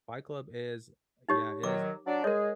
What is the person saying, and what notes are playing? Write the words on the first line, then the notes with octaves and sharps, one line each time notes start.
Fight Club is Yeah, it is
D#4 G4 C#5
D#3 F#3 D6
F#3 D4 D5
G#3 G#4 A#4 C#5